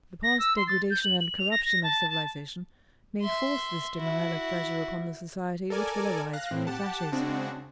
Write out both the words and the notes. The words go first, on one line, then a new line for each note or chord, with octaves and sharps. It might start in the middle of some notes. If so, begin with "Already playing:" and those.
The past degradation and corruption of civilization may force this denial of pleasure upon the society which will arise from its ashes.
A#6
E6
C6
A6
G6
F#7
F#7
F7
A#6
A#6
A5
A5
E5 C6
E4 F#4
A4 A#4 D5 G#5
F5 F#6 A#6
A2 C4
G4 F#5 A5
C#3 G#3 C4 D4 F#4